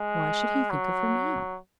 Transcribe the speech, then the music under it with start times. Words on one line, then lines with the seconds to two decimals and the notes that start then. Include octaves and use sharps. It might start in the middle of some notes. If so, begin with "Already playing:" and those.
Why should he think of her now?
Already playing: G#3
0.70 F#3